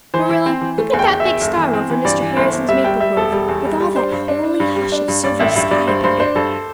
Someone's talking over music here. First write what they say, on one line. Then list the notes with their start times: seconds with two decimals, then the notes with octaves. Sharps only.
Marilla, look at that big star over Mr. Harrison's maple grove, with all that holy hush of silvery sky about it.
0.14 E3 C5
0.29 E3
0.46 C4
0.61 E3
0.78 A3
0.93 E2
0.99 G5
1.10 E2
1.20 E2 E5
1.41 G1
1.58 E3
1.73 C4
1.90 E3
2.05 G2 D5
2.22 E3
2.36 G1 C5
2.52 G1
2.68 G3 E5
2.84 G3 G5
3.00 G3 E5
3.16 E1 A4
3.32 G3
3.48 E2
3.65 G3
3.80 G3
3.96 D4 C5
4.12 G2
4.28 D4
4.43 D4
4.60 G2
4.76 G3
4.92 D4
5.08 G2
5.23 G2 D5
5.39 A1 E5
5.55 G2 E5
5.71 G2 D5
5.87 G2 C5
6.04 G2 C5
6.20 D4 C5
6.35 G2 A4